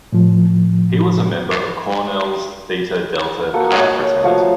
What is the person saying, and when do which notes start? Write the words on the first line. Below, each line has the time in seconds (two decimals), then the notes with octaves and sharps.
He was a member of Cornell's Theta Delta Chi fraternity.
0.13 A2 F3
3.53 A#3 F#4 A4
3.72 C#5 D#5 F#5 G5
4.23 F3 A3 F#4 F5